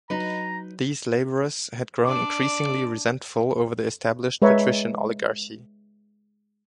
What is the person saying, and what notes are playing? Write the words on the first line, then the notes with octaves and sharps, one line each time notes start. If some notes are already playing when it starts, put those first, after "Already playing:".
These labourers had grown increasingly resentful over the established patrician oligarchy.
F#3 D#4 B4 A#5
D4 D5 D6
G#3 B4 C#5 E5 A#5